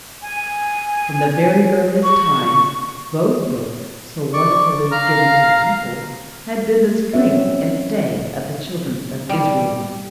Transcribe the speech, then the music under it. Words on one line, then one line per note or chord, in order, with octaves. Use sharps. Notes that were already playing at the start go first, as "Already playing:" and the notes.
From the very earliest times those Books, so wonderfully given to the people, had been the strength and stay of the Children of Israel.
G#5
C#6
D5 C#6
F5 A#5 F6
F#3 C4 C#4 F#4 E5
G3